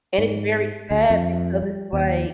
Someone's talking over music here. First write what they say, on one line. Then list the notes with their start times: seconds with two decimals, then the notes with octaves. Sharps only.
And it's very sad because it's, like
0.18 G#2
0.91 D2
1.10 F2
1.62 G3
1.93 D#2